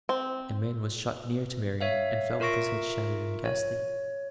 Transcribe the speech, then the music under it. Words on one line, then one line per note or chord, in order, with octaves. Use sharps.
A man was shot near to Marian, and fell with his head shattered and ghastly.
C4
C#5 E5 F5
F4 A#4 E5 C#6 A#6 D7
C#5